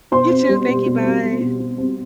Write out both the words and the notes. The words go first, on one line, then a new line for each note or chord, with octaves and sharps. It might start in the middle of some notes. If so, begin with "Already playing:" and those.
You, too. Thank you. Bye.
B2 C5 C6
C4
G3
B2
B2
C4
G3
B2
B2
C4